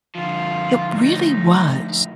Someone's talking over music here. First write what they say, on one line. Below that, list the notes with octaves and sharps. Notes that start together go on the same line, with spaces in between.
It really was.
D3 F3 F4
A3 D#4